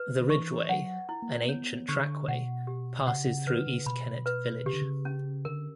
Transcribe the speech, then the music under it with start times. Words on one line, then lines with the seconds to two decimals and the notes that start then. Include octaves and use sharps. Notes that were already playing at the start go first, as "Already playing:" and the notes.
The Ridgeway, an ancient trackway, passes through East Kennet village.
Already playing: B4
0.21 D3
0.29 E3 C#6
0.69 F#3 F#5
1.09 E4
1.22 A#3
1.49 B3 C#5
1.89 D3 C#6
2.28 B2 F#5
2.67 G4
3.07 C#3 F#5
3.27 C#3
3.47 D3 B4
3.67 C#3
3.86 B2 B5
4.26 B4
4.66 C#3 G4
4.73 D3
4.82 C#3
5.05 C#4
5.45 D3 A#4